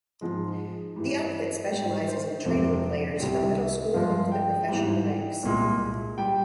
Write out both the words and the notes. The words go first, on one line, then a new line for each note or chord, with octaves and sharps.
The outfit specializes in training players from middle school up to the professional ranks.
G#2 F3 G#3
G2 E3 G3
G#2 G3 G5
C5
F2 C3 F3 G#3 C5
C2 C3 G3 G4
E5
G2 F3 G#3 F5
G5
G#2 E3 G3
C2 A#2 G#3
G3 G5